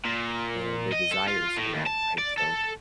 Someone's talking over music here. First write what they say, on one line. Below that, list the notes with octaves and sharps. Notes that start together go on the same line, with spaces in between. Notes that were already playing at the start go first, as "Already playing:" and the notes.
and their desires in life, right, so,
A#2
D#5
A4
F4
A2
D#2
A5
D5
A4